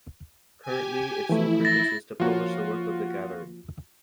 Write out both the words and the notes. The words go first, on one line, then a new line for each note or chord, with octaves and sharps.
Currently, its sole purpose is to publish work of The Gathering.
G4 G#5
E3 F3 A3 E4
A6 A#6
F3 A#3 F4 F#4 C#5